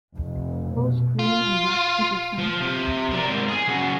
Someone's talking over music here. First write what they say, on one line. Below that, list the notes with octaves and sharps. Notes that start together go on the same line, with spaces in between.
Both green and black editions exist.
F1
B2
F4
F3
C3
A#4 D5
G#3 C4
G#4
C#3 F#4